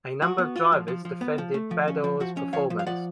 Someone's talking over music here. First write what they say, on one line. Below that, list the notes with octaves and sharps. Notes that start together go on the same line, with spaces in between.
A number of drivers defended Badoer's performance.
F3 F#4
B3
F4
F3
F3
F3
B3
F3
A3
F3
C#4
F3
F3 F#4
C#4
F3 C#5 F5
F3
F5
F3 D5 F#5